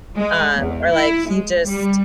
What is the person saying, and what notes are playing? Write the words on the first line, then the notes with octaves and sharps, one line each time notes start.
um, or, like, he just
G#3
E2
E4
G#3
G3